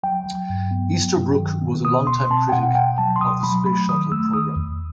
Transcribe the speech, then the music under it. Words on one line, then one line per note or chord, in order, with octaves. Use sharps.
Easterbrook was a longtime critic of the Space Shuttle program.
F#3 G5
F#3
G2
B3
F#3
G2
D#3
B3
B2 D#6
B2 C6
C4 A5
G5
B2 F#5
B2 G5
F#3 A5
C6
B2 D#6
F#3 B5
A3 B5
D#3 D#6
A3 E6
D#3 D#6
E2